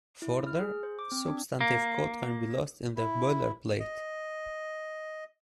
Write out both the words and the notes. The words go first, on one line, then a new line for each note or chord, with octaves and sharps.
Further, substantive code can be lost in the boilerplate.
E4
F6
G#4
C5
D6
C4
D4
A#3
E4
D#5